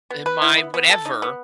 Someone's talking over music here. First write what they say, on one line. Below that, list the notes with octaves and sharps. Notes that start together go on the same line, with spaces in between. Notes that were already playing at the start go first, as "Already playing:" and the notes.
uh, my" whatever.
B3
B4
E4
B3
B3
A4
D#4
B3